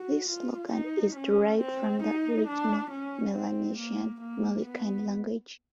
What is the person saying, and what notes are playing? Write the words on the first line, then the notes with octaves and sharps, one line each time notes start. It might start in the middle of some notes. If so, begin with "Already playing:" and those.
This slogan is derived from the original Melanesian Moluccan language.
Already playing: F#4
F4
D#4
C#4
C4
D#4
D4
C#4
C4
A#3
A#3
B3